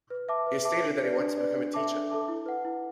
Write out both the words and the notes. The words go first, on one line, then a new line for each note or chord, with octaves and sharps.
He has stated that he wants to become a teacher.
B4
E5 A5 D6
B4
E5 A5 D6
D4
B4 D5
D4
B4 D5
D4
A4 E5 A5 D6
D4
A4 E5 A5 D6
E4
B4 F#5
E4